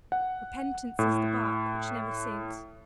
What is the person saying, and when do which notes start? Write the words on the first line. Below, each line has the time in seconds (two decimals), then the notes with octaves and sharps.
Repentance is the bark which never sinks.
0.12 F#5
0.99 A2